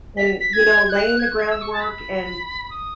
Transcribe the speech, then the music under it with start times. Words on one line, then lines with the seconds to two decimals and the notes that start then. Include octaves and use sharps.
And, you know, laying the groundwork, and
0.17 B6
0.40 B6
0.53 G#6
0.90 F#6
1.19 G#6
1.26 F#6
1.38 G#6
1.50 E6
1.62 C#6
1.73 A5
1.80 B5
2.70 D#6